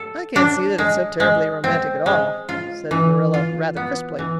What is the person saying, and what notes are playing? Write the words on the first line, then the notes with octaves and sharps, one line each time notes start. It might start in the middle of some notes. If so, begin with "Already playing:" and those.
"I can't see that it's so terribly romantic at all," said Marilla rather crisply.
Already playing: A4
D4
G#3
G#3
C4
G#3
F4
E3
F4
B3
E3